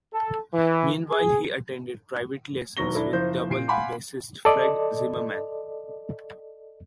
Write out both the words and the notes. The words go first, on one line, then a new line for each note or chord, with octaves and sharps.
Meanwhile, he attended private lessons with double bassist Fred Zimmerman.
A4
E3
G#4
E1 D#2 F#3 C#6 A#6 G7
D4 E4 A4
F#1 F3 C5 G6
A#2 C7 D7
F5 F#5 G#5 B5 C6 D6
A4 D5 D#5